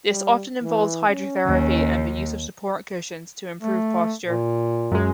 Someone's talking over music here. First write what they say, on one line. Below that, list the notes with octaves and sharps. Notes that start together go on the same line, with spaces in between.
This often involves hydrotherapy and the use of support cushions to improve posture.
G3
E3
C#4
D#2
A3
A#2
F#2 G#3